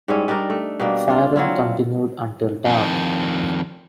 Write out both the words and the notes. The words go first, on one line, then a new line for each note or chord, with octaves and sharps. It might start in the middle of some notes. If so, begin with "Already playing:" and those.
Firing continued until dark.
G#2 G3 C#4 E4
G3 D4 D#4 A#4
A3
B2 G3 A#3 D4
D4 F4
F#3 C4 E4 F4
F2 D#3